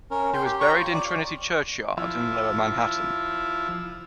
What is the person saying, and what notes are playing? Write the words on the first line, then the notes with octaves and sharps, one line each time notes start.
He was buried in Trinity Churchyard in lower Manhattan.
C#4 A#4
G5 C6
G4
C#5 G5 A#5 C#6
F4
D5
F3 E4